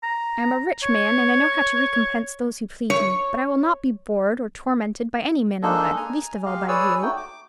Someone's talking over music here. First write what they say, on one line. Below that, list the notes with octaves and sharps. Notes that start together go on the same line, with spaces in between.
I am a rich man, and know how to recompense those who please me: but I will not be bored or tormented by any man alive: least of all by you.
A#5
C#5
C#5
G#3 A#3 D4 D#4 A4 D#5
G#5 A#5
G#3 G4 D#5 F5
G#4 B4 C#5 D5 G#5 E6
A3 D#4 F#4 G5
D6